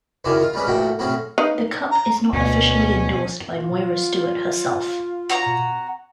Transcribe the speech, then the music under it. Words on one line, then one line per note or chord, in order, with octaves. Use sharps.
The cup is not officially endorsed by Moira Stuart herself.
C#2 F#2 D#3 E4 D5 G#5
F4
G3 G#3 C#4 B4
A1 A#2 F#3 A3 G5
A2 F#3 C4 C#4 G#4
D#4 B4 F5
A#5
D2 B2 C#4
F4
F#4 C#5 A#5